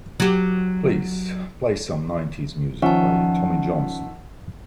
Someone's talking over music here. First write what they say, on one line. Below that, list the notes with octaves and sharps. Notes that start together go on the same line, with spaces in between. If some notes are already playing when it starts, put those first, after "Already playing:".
Please play some nineties music by Tommy Johnson.
F#3 G4
D#3 F3 C#4 E5 F#5 A5 C#6